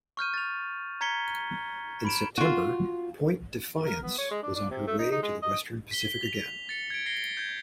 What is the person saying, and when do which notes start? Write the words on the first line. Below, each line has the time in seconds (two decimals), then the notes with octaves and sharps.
In September "Point Defiance" was on her way to the western Pacific again.
0.17 C#6 F6 G6 D#7
0.34 A6 F7
1.01 A#5 G#6 B6 C#7 G7
2.05 B5 D7 E7
2.38 F4 F#4
3.86 A#4
4.03 B3
4.18 C#5
4.31 G#3
4.43 D4
4.55 D4
4.71 C3
4.87 A3
4.99 D#4
5.11 D#4
5.23 G#3
5.42 D#5
5.91 B6 G7
6.23 F7
6.69 A6 C#7
6.90 G#6 C#7 D7
7.06 A#6 C7 D7 G7
7.37 G6 G#6